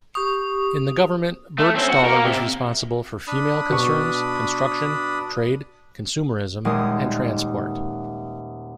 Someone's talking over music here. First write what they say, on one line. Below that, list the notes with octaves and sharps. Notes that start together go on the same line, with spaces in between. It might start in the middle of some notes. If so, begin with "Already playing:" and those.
In the Government Burgstaller was responsible for female concerns, construction, trade, consumerism, and transport.
G4 C#6 D#6
A3
C4 C#4
F#4
A#3 A#4
C3
D4 B5 D#6
B2 C#6
D#1 G#3 D#6